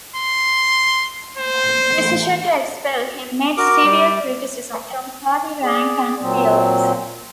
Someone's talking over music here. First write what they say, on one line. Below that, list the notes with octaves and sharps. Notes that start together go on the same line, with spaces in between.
The decision to expel him met severe criticism from party rank-and-files.
C6
C5
F#4 A#4 D6
G3
G#4 D5
A#2 F#3 C4